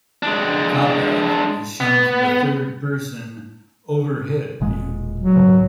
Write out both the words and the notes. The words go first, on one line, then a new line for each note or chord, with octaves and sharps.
Combat is shown from a third-person overhead view.
G#3 D4
B3
E1 A#2 G#3
F#3
C2 G#2 C#3